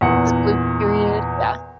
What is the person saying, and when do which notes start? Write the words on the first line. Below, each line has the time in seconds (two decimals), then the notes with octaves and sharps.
His Blue Period, yeah.
0.01 E2 A#2 F#5 C#7